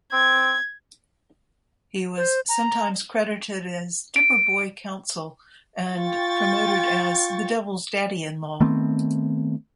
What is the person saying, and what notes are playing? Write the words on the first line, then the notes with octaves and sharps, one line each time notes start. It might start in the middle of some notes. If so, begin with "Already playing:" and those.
He was sometimes credited as Dipper Boy Council and promoted as "The Devil's Daddy-in-Law".
C4 G#6
C5
A#5
D7
F4 G5 C#6 A6
D#3 A3 B3 C4